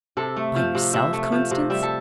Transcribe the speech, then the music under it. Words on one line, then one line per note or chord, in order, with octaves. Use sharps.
"By yourself, Constance?"
C3 A4
A3
F3
C3
C3 E5
A3
F3
C3
G3 E5
A4